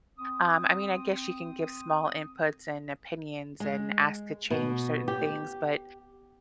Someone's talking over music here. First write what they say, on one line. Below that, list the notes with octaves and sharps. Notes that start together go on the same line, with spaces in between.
Um, I mean, I guess you can give small inputs and opinions and ask to change certain things, but,
C4 D#6
G#3
B2
G4